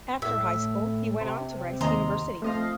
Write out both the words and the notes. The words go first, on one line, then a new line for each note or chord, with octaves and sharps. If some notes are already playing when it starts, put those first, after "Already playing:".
After high school, he went on to Rice University.
A2 E5
C3
D#2 D#5 A#5 C6
F3 A3 C4 D#5 F5